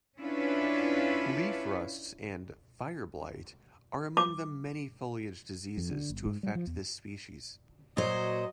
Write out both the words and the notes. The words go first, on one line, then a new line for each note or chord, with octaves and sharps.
Leaf rusts and fireblight are among the many foliage diseases to affect this species.
C#4 D4 E4 F4 B4 C#5
D6
F2
D3
F#1
G#2
G3
F3
E2
A#2 F#3 C5 D#5